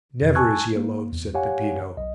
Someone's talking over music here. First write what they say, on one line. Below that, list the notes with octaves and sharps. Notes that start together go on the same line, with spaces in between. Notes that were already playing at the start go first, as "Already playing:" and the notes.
"Never is he alone," said Peppino.
F2 C3
G#5 A5 C#6 E6 F#6 G#6
A#3
E2
G4 C#5 F5 F#5 G#5
B1 D#5